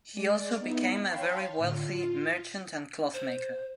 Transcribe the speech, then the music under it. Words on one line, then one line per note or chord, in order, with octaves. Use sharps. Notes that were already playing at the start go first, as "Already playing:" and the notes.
He also became a very wealthy merchant and clothmaker.
G#3 D5
B3 D#4 E4
C#5 F5 G5 A5 B5 C6
A2 D3 F4
F4
C5